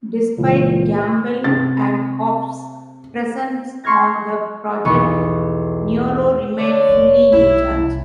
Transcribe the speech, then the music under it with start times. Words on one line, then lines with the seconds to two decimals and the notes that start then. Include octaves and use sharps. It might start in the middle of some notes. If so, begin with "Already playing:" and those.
Despite Gamble and Huff's presence on the project, Nyro remained fully in charge.
0.37 C#2 A#2 E3
1.44 C3 A6
3.84 C6 C#6 F6 G#6 A#6
4.85 B1 E2 B3 C#6
6.58 D3 C#5 D5
6.89 F1
7.32 B1 E4
7.69 F#1 C2